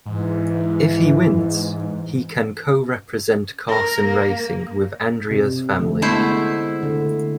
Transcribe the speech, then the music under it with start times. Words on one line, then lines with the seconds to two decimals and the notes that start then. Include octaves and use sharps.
If he wins, he can co-represent Carson Racing with Andrea's family.
0.06 G#2 E3
3.69 A#4
4.06 A#3
5.31 C3
5.79 D3 A3
6.02 G#3 A3 B3 E4 C5
6.83 D3